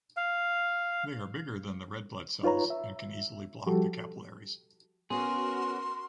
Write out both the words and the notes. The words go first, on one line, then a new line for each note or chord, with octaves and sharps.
They are bigger than the red blood cells and can easily block the capillaries.
F5
D#4 F4 B4 C#5 A#5
E5
F3 G3 F#4 G4 A4
B3 C#4 F#4 G#4 A#4 C6